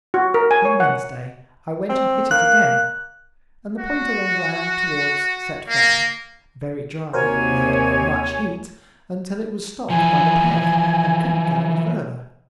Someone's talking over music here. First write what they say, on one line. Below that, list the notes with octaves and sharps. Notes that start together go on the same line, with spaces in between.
On Wednesday I went and hit it again, and the pointer went round towards "set fair," "very dry," and "much heat," until it was stopped by the peg, and couldn't go any further.
F#4
A#4
G#5
C#5
F#5
C4
A#3 F#6
F#4
A#3
D#2 C3 F#4 A#4 C5 C#5 G#5
E3 F3 G#5